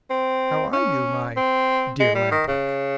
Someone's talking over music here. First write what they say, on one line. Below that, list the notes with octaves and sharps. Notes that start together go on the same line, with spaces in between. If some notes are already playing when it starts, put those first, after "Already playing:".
"How are you, my dear Lamp-Wick?"
C4
C#4
C4
G#3
G3
D#3
C#3